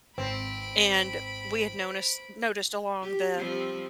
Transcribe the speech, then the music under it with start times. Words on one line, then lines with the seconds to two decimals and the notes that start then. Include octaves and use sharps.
and we had noticed noticed along the
0.18 G#1 C4 B5 D7
3.02 G4
3.37 F3 G3 C4